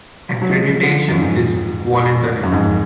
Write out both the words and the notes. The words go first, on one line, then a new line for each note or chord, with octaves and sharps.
Accreditation is voluntary.
F#3
F3 G#3
D3 F3
F#2
F2 G#2
F#2
F2 G#2